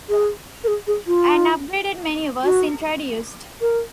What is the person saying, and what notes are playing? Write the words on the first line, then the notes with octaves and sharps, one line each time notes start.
An upgraded menu was introduced.
G#4
A#4
G#4
G#4
F4
F#4
A#4